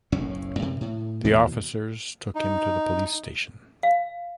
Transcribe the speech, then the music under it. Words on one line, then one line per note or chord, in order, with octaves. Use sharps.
The officers took him to the police station.
F#1 B1 A2 C#4
F#2 C3
A2
D#2 B2 E3
D#4
F5